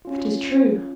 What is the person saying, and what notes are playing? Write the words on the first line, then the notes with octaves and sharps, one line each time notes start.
"That is true."
C#4 F4